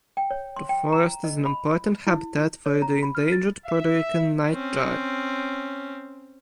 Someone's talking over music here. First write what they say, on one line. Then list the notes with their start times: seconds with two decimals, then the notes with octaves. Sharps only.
The forest is an important habitat for the endangered Puerto Rican nightjar.
0.17 G5
0.31 C#5
0.56 C6
0.69 G5
0.92 A#5
1.24 D#5
1.46 B5
2.07 E4
2.66 C#5
2.82 A#5
3.03 B5
3.15 F6
3.32 A6
3.65 E5
4.50 C4 C#4